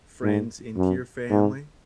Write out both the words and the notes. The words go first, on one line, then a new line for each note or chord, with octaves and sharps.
friends into your family,
G#2
F#2
G#2